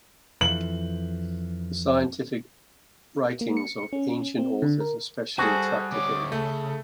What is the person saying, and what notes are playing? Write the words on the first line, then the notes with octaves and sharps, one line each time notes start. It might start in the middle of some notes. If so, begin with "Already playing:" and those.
The scientific writings of ancient authors especially attracted him.
F2 E3 F#7
A#3
C#7
C#4
C4
D3
A#4
G3 F#4 G#4 A4 C5 G#5
D2 C#5 D6
C#3 A3 A4